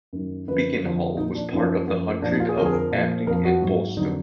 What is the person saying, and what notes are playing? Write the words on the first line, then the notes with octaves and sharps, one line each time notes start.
Bickenhall was part of the hundred of Abdick and Bulstone.
F#2 D#3 F#3
F#2 D3 F3 B4
F2 D3 F3
A#2 F3 D#4
D4
F#2 F3 D#4
F#2 F3
A#2 F3 D4
D#4
F4
G#4
F2 D3 F3 A#4
G#4
A#4
A#2 F3
F2 F3 A#4
F#4
G#2 F#3
F2 D3 F#3 D#4